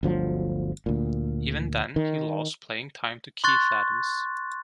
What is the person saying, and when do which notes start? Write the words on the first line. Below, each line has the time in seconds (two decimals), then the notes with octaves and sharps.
Even then he lost playing time to Keith Adams.
0.03 G1 D2 F3 F#3
0.86 D2 A#2
1.96 D#3
3.44 C6 C#6 F#6 A6